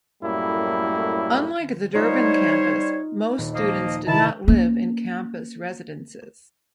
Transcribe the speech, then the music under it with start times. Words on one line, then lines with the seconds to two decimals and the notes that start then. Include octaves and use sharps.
Unlike the Durban campus, most students did not live in campus residences.
0.22 F#2 A2 G3 A3 A#3 E4
1.95 G3 D#4 F4 C5 C#5
3.38 D#1
3.55 F3 A#3 D#5
4.07 C3 D#3 E4 A5
4.48 A#3 C#4